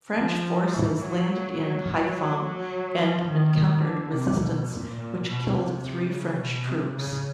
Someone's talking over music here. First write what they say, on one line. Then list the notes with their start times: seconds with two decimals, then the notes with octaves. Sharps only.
French forces landed in Haiphong and encountered resistance which killed three French troops.
0.17 F3
0.73 E3
1.02 F#3
1.58 F#3
1.87 F#3
2.43 F#3
2.99 F3
3.28 D#3
3.83 D3
4.12 C3
4.39 B2
4.69 A#2
4.97 A#2
5.25 B2
5.53 C3
6.10 C#3
6.38 B2
6.66 C3
6.94 C#3